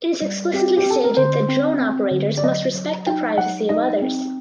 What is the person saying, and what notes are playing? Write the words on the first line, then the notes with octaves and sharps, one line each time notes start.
It is explicitly stated that drone operators must respect the privacy of others.
G3
C4 G4
G4
C4 A4
A#4
D3 C5
C4
C4
D3
D5
F#3 D#5
F#3
D#4 G5
F#3 F#5
D#4 D#5
C4